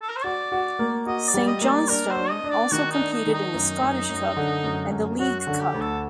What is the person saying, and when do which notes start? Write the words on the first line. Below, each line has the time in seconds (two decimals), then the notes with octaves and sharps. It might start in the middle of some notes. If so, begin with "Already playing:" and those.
St Johnstone also competed in the Scottish Cup and the League Cup.
0.02 A4
0.09 A#4
0.16 C5
0.24 F#4 D5
0.52 F#4
0.79 A#3
1.06 F#4 D#5
1.28 D5
1.34 G3
1.47 D#5
1.61 A#3
1.68 D5
1.89 D4 A#4
2.10 C5
2.17 D4
2.30 D#5
2.44 D4
2.50 D5
2.72 D#3 F#4
2.92 D#4
2.99 D4
3.13 D#4
3.26 D#3
3.33 D#4
3.54 F#2
3.82 F#2
4.09 F#2
4.37 D3
4.64 F#2
4.91 F#2
5.19 F#3 F#4
5.40 F#4
5.47 D3
5.60 G4
5.74 D2
5.81 A4